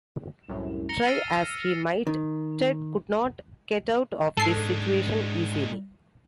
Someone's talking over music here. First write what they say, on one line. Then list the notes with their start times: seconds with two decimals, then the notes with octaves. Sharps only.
Try as he might Ted could not get out of this situation easily.
0.48 C2 F#2 A2
0.89 A#5 A#6 C#7 G7
1.06 E6 F6 A6 A#6 C7 D#7
2.07 D#3
4.37 G#2 G#3 D4 A4 C7